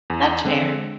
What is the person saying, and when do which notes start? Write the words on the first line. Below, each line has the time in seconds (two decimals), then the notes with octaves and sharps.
That's fair.
0.10 E2
0.45 D3 G#3 C4